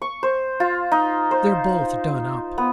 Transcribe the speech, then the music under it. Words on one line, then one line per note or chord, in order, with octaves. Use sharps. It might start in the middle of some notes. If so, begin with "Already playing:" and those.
They're both done up.
C#6
C5
F4
D#4
C5
B3